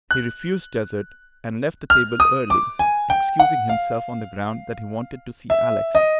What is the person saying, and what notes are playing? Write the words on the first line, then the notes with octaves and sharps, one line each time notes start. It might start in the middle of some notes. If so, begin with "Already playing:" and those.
He refused dessert, and left the table early, excusing himself on the ground that he wanted to see Alex.
F#6
F6
D#6
D6
G#5
G5
F#5
F5
E5
D#5